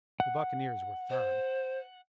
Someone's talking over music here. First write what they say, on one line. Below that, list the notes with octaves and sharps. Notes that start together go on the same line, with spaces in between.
The buccaneers were firm.
F#5
C5